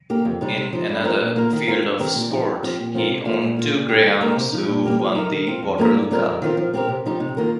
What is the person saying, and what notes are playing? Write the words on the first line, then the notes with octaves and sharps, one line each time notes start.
In another field of sport, he owned two greyhounds who won the Waterloo Cup.
A#3 G4 A#4
F2
C3 G3 D#4
C3
F3 D#4
G2
F3 C4 F4 A#4
A#2
A#3 F4 A#4
D#3
C4 F4 A#4
G2
D#3 C4 G4 A#4
A#2
F3 D#4 G4
F2
F3 C4 G4
A#2
F3 C4 F4 A#4
C3
F3 A#3 F4
A#2
A#3 F4
A#2
A#3 D#4 G4
D#3
A#3 D#4 G4 A#4
C3
F3 D#4
A#2
G3 A#3 G4 A#4
F3
D#4 A#4
D#3
C4 F4
F2
F3 A#3 G4 A#4
G2
G3 C4 F4 A#4
F2
D#3 C4 F4 A#4
F3
C4 G4 A#4
C3
F3 D#4 G4
C3
D#3 A#3 F4 A#4